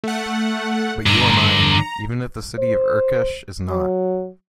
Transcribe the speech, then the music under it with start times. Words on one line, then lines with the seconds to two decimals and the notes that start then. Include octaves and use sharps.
But you are mine, even if the city of Urkesh is not.
0.04 A3 F#5
1.06 G2 D3 A#5
2.59 C5
3.69 F#3